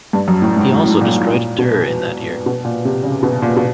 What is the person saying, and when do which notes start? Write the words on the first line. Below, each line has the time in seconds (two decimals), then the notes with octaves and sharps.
He also destroyed Der in that year.
0.13 G2
0.28 F#2
0.42 A2
0.56 G#2
0.72 G#2
0.85 A2
1.01 A#2
1.14 A#2
1.30 A#2
1.59 B2
2.46 B2
2.65 A#2
2.85 C3
3.03 C#3
3.23 B2
3.42 A#2
3.57 B2